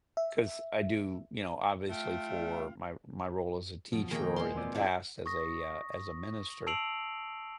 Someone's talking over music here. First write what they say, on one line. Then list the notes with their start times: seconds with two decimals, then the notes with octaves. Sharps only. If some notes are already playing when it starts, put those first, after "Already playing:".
'Cause I do, you know, obviously for my my role as a teacher or in the past as a, uh as a minister
0.17 E5
1.89 A3 F4 F5 G5
3.92 D#2 B2 F3
4.11 D#3 A#3 D#4 G#4 G5
4.36 G#3 G#4 C6
4.54 B3 C4 D5
4.75 D4 E4 G#4
5.26 C#6 D#6 A#6
6.67 A5 E6 C7 D7 F7 F#7